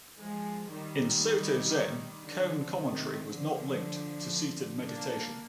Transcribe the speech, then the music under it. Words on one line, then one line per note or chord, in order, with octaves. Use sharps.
In Soto-Zen, koan commentary was not linked to seated meditation.
F3 G#3
D#3 G3
D3 F3
C3 D#3
D3 F3
A#3 D4